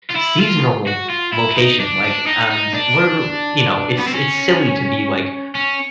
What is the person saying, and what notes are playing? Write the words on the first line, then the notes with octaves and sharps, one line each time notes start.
seasonal location, like, and we're you know, it's it's silly to be, like,
F4
E4
F4
F#4
F4
E4
D#4
D4
D4
D#4
D#4
D4
B3
C4
C#4
C#4